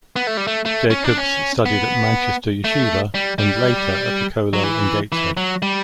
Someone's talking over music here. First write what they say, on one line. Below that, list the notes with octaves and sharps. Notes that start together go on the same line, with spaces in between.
Jacobs studied at Manchester Yeshivah, and later at the kolel in Gateshead.
B3
A3
G3
A3
A3
C#4
D4
C#4
B3
A3
G3
G3
F#3
E3
E3
F#3
G3